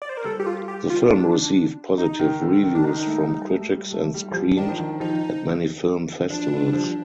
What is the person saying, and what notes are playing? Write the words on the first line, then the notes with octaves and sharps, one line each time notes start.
The film received positive reviews from critics and screened at many film festivals.
D5
C5
A#4
G3 A4
G4
F4
G4
F4
D4
D#4
D#3
D3
D#3
D4
D#3 D#4
A3
G3
A3
G3
A3
G3
F3
G3
D#3 D4
F3
D#3
F3 D#4
F3 D4
D3
G3
F3